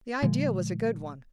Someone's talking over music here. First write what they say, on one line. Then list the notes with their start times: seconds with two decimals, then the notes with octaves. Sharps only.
The idea was a good one.
0.22 A#2 D3 F3 G#3